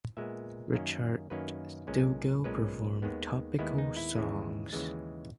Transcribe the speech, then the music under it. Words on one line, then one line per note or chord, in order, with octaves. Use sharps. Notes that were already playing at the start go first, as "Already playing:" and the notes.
Richard Stilgoe performed topical songs.
A#2 G#3 B3 E5
F#2 D#3 A#3 C#4
F#2 D#3 A#3 C#4 B4
B1 A#2 G#3 C#4
B1 A#2 G#3 C#4 B4
D#2 D#3 G#3 B3
D#2 D#3 G#3 B3 E4
D#4
E4
D#2 C#3 E3 G#3
D#2 C#3 E3 G#3